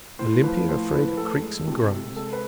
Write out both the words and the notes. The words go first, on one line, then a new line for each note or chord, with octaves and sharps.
Olympia afraid of creaks and groans?
A2 C5
F3 B4
A2 C5
A2 B4
A2 A4
G#3
C3
C3
G#3 A4
B4